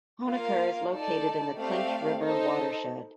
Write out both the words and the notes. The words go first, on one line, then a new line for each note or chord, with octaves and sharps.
Honaker is located in the Clinch River watershed.
A#3 F4 A#4 F5
D#4 A4 D5 A5
A3 C4 G4 D5 F5
D#4 A4 C5 D#5